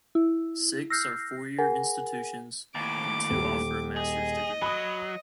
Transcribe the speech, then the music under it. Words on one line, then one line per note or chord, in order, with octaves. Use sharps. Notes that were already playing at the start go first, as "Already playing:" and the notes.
Six are four-year institutions, and two offer a master's degree.
E4
E6 F6 G6 A#6 C7
G#4 A#4 F#5 G#5
D#2 A2 D6
D#1
G#4 D#5
F#3 B5 D#6